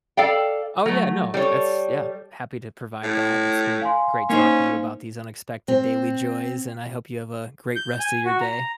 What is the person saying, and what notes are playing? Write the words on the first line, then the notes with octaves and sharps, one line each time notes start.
Oh, yeah, no, that's yeah. Happy to provide that. It's been great talking to you about these unexpected daily joys, and I hope you have a great rest of your day.
A4 D5 F5 G5
F#3 A3
G3 A4 C#5
A2
F5 G#5 C6
A#3 C#4 D#4 C5
C4
G6
G#5
F#4
A#5